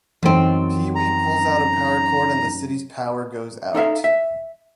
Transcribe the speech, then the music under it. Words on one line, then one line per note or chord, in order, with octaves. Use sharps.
Pee-Wee pulls out a power cord and the city's power goes out.
F#2 E3 A3 C4 D#4
A#5
D#4 A4 E5 F5
E5